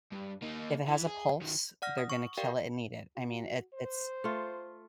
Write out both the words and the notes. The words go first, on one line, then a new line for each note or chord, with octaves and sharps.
"If it has a pulse, they're gonna kill it and eat it." I mean, it it's
G2
A#3 D#4
E3
G#4
D#3 F#3
D5 F#5 F6 A#6
D#6
C#6
G4 A#4 D5 F5 G5
F#4
C5
A3 F4